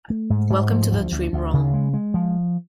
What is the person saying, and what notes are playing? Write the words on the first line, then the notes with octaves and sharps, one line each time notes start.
Welcome to the dream realm.
A3
G#2
G#2
F3
D2
D2
D2
C#3
G#3
G#3
F3